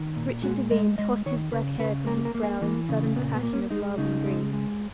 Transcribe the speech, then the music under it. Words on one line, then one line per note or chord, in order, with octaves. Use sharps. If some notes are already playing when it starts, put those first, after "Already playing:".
Richard Devine tossed his black hair from his brow in sudden passion of love and grief.
Already playing: D#3
A#2
G#3 F#4
G#3 D#5
G#3 D#5
D#3 C#5
C#3 B4
C#3 B4
A#3 A#4
A#4
A#3
G#4
E3 A#3
C#3
A#2 B3
B3
A#3
C#4
G#3 D#4
C#3 D#4
G#3
G#3